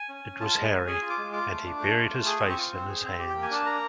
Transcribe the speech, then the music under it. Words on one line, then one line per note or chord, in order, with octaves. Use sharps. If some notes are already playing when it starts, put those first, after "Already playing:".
It was Harry, and he buried his face in his hands.
Already playing: G#5
C#4
C#4
F4 A5
G#3
G#5
C#4
G#4 G#5
F4
D6
G#3
F4 D6
A3
D4
A3
F4
A3
G#4 D#6
C4
C#6
F4
C4
G#4
C4
G4
A#3 G5
G#5
D4 A5
A#3 A#5